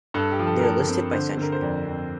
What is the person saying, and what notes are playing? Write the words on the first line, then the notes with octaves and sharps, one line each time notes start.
They are listed by century.
G2 A4
G4
F3
A4
A#4
F3 A4
C4
D3 C5
D3 A#4
C5
F2 D5
F2